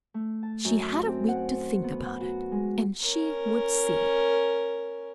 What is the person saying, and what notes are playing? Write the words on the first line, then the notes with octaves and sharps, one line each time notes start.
She had a week to think about it, and she would see!
A3
A5
F#2
C4
F#5
B3
F#5
F#4
G#3
C#4 A#4